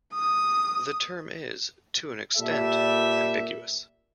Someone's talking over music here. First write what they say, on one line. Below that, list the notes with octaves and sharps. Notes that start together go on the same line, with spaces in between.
The term is, to an extent, ambiguous.
D#6
A#2 G3 A4 E5